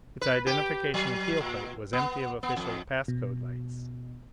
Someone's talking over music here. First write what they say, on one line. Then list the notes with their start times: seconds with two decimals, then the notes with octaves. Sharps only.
Its identification keel plate was empty of official pass code lights.
0.21 B4
0.46 G4
0.94 F#3
1.41 A#2
1.93 B3
2.43 B3
2.57 F2
3.08 B2